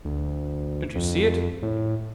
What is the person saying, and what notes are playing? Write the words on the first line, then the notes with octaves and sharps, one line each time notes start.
Don't you see it?
D2
F2
A2